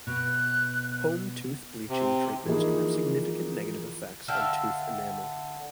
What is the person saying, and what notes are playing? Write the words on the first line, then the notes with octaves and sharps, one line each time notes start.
Home tooth bleaching treatments can have significant negative effects on tooth enamel.
B2 F#6
C3
E3 F3 A#3 D#4 G#4
D3 E5 F5 G5